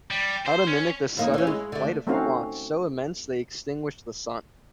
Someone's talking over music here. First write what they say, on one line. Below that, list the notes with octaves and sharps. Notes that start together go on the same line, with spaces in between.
How to mimic the sudden flight of flocks so immense they extinguished the sun?
G3
C5
C#4
D#2 A#3 D#4
E3 C#4
G#3
D3 A3
A3 C4 C#4 D#4 F#4 F5